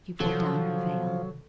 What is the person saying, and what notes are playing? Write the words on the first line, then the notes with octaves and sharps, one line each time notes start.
She pulled down her veil.
C3 D#3 F3 F#3 A4